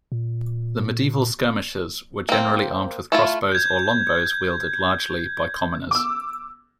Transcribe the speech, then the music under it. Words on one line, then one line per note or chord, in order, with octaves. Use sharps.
The medieval skirmishers were generally armed with crossbows or longbows wielded largely by commoners.
A#2
A#3 C4
A3 E4 F4
G6 G#6
D6 E6